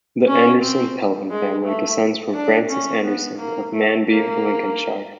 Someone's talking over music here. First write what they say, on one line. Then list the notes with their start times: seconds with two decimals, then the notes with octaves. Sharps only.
The Anderson-Pelham family descends from Francis Anderson of Manby, Lincolnshire.
0.27 C#4
0.61 C4
1.31 G#3
1.65 A3
2.34 D4
2.69 C#4
3.04 B3
3.39 A#3
3.73 A3
4.08 A#3